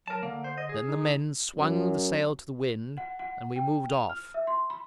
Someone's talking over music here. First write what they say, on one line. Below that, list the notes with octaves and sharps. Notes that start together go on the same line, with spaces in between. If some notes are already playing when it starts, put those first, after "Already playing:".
Then the men swung the sail to the wind, and we moved off.
F#3 A#4 A5
D3 A#3
C5
D#5
G#4
D#4
F#2
F#5
F#5
G5
F7
F6
E5
C6
B5